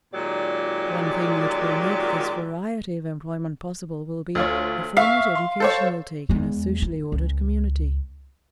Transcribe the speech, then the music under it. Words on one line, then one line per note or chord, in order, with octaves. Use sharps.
One thing which will make this variety of employment possible will be the form that education will take in a socially ordered community.
A#2 D#3 F#3 G#3 G4 D5
D2 F4 C#5
E5 F5 C#6
C6
A4 C5 C#5
E2 G#3
E4
C#2